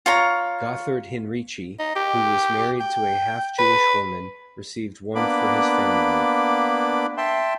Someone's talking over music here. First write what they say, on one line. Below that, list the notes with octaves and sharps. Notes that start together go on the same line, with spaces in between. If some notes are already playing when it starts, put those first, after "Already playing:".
Gotthard Heinrici, who was married to a half-Jewish woman, received one for his family.
F4 C#5 A#5
D#4
G4
G5
B4
A#3 B3 D4 B5 D6
E5 G5 A5 C6